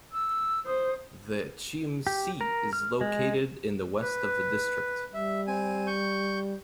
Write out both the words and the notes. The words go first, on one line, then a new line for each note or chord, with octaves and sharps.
The Chiemsee is located in the west of the district.
E6
C5 D#6
G4
A#4
F6
G#3
B4
G3 E5
C4 G#5
C#6 G6